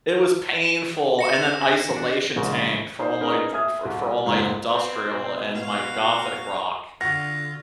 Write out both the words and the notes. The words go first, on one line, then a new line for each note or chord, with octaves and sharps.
it was painful, and then isolation tank for all f f for my industrial and my gothic rock,
A#6 C#7 E7
C4 C#4 G4
D4 D5
A#1 G#2 C#3
D#4 C5 C7
C#4 D#4 G#4 A#4 B4
E5 G#5 D#6 F6 G#6
C2
F#1 C#2 G#2
B3 C4
B2
F#4 F5
D3 F4 F#4 A#6